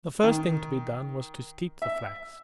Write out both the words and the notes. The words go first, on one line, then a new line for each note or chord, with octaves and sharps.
The first thing to be done was to steep the flax.
D#3
E5